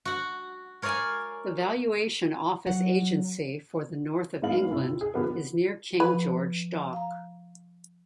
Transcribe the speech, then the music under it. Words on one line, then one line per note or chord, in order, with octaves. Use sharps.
The Valuation Office Agency for the north of England is near King George Dock.
F#4 F#5
A#4 C#5 D5 F5 G#5
F#3 F#5
A2 D#3 G#3 B3 F5 F#7
C3 E4
F4
G#4
D3 F3 B3 G4 A#4 B4
F3 B4
F5 A#5